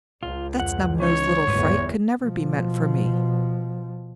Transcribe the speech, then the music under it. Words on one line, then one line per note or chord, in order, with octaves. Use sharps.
That snub-nosed little fright could never be meant for me!
C#2 F4
F2 F3 F#5
E3 C#4 D#4 C#5
G1 E2 G#2 B4
B2 F3